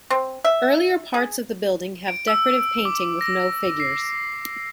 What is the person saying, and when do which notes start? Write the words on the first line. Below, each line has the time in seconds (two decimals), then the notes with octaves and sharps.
Earlier parts of the building have decorative painting with no figures.
0.10 C4
0.45 E5
1.14 G#4
2.08 D7
2.28 E6
2.85 D6
3.21 A#6
3.80 C7